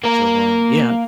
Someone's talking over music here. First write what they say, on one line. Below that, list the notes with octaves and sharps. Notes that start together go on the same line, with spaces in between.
So, um, yeah.
A#3 A#4